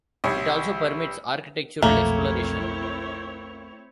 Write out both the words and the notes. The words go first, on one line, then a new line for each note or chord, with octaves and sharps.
It also permits architectural exploration.
C2 C#5
B1 F2 A#2 A3 A#3 C4 E4 C#5